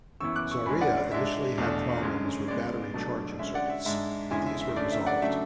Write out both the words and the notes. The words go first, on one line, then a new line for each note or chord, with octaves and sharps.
Zarya initially had problems with battery charging circuits, but these were resolved.
F#2 E3 B3 E4 C#6 E6
D6 F#6
C#6 E6
E2 D3 G#3 C#4 G#5 B5
D5 F#5
D5
G#2 G#3 D4 E5
E2 B2 A3 D4
F#2 D3 G#3 C#4
C#3 G#3 B3 D5
B2 F#3 A3 D4
D3 G#3 C#4 E5
D5 F#5
E5
G#2 G#3 D4 E5
E2 D3 G#3 C#4 E4 E5 G#5
E5
E5
F#2 D3 A3 D5
E5
D5 F#5
C#3 F#3 A3 D4 E5